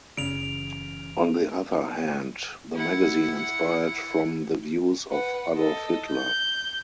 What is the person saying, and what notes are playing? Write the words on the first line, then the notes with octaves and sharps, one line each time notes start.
On the other hand, the magazine inspired from the views of Adolf Hitler.
F#1 C#3 E3 D7 F7
E4 F#5
B4 F#5
A4 D#5
G6